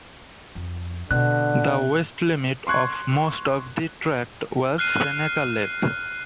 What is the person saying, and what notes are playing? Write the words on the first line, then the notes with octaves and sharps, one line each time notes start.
The west limit of most of the tract was Seneca Lake.
F2
B2 D3 F#6
C6 C#6 F#6 G#6
F6 F#6 C7 D#7